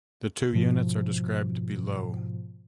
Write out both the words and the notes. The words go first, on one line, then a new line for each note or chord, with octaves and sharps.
The two units are described below.
G#2 B2 F3